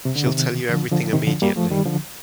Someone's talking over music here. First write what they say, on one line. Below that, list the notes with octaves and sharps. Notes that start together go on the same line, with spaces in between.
She'll tell you everything immediately.
C3
D3
C3 D#3
D3 F3
D3 F3
C3 D#3
D3 F3
G3 A#3
F3 A3
D#3 G3
D3 F3